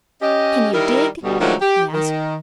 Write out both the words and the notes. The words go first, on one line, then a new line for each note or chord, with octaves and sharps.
"Can you dig?" he asked.
C#4 G4 D#5
D#3 G3 E4 A#4
D2 B2 G3
D3 D#3 F3 F#3 G#3 A3
G4
D#3